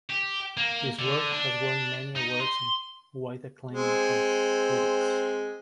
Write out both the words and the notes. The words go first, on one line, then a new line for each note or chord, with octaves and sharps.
His work has won many awards and wide acclaim from critics.
G4
A#3
D3
D4
D#4
C6
G#3 C4